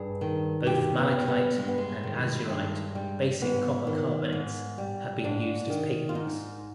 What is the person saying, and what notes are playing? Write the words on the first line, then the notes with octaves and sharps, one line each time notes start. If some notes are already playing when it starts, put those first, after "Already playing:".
Both malachite and azurite basic copper carbonates have been used as pigments.
Already playing: G2 G#4
D#3
G2 G4
B3
G3
B3
G2 G#3
B3
G#3
D#3
G2
G3
G#2 B3
D#3
G#2
G3
G#2 D4
D#3
F4
G#2 D#4